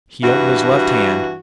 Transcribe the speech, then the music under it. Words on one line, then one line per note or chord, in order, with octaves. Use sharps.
He opened his left hand.
G2 E3 F#4